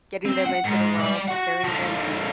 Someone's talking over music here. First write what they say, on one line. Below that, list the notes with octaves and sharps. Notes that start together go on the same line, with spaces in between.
getting them into the world, carrying them and
C4
F#5
G#2
G3 D5
F#4 F#5
D3 F3